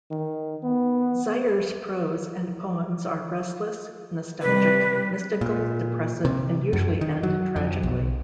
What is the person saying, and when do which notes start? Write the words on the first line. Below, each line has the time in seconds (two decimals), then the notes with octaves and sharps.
Zeyer's prose and poems are restless, nostalgic, mystical, depressive, and usually end tragically.
0.11 D#3
0.64 B3
4.42 C3 G3 B4
5.41 A#2
6.25 C3
6.73 F#2
7.01 D#3
7.23 F#3
7.56 F2
7.83 B1